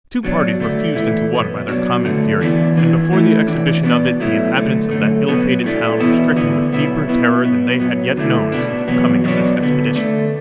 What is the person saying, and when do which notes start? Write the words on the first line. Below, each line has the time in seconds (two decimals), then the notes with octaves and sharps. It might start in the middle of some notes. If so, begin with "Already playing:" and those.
The two parties were fused into one by their common fury, and before the exhibition of it the inhabitants of that ill-fated town were stricken with deeper terror than they had yet known since the coming of this expedition.
0.23 B2 F#3 D4
0.59 D2 D3 A3 D4
0.95 E2 E3 A3 E4
1.32 B1 B2 B3
1.68 B2 F#3 D4
2.03 F#2 D3 A3
2.40 E2 E3 B3 D4
2.76 E2 E3 D4
3.12 A2 A3 E4
3.48 E2 E3 D4
3.84 B2 B3 D4
4.20 B2 F#3 A3 E4
4.56 F#2 D3 A3
4.91 F#2 D3 A3
5.28 B2 F#3 B3
5.64 A2 A3 D4
6.00 E2 B2 B3 E4
6.36 D2 D3 B3 E4
6.72 B1 B2 B3 E4
7.08 B2 B3 E4
7.43 B1 B2 B3
7.80 F#2 F#3 B3
8.16 D2 D3 A3 E4
8.52 B2 B3 D4
8.87 E2 B2 F#3 B3
9.24 B2 F#3 B3 D4
9.60 D2 D3 B3
9.96 D2 D3 A3 D4